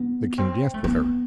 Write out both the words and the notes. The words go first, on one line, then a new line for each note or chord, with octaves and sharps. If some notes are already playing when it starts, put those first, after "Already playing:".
The king danced with her.
Already playing: B3
C4
A3
B3